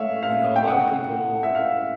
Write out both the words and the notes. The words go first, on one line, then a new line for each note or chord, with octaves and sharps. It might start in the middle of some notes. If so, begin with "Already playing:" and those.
you know, a lot of people,
Already playing: A2 A3 C#5 E5 F5
F5
G5
F#5
E5
F5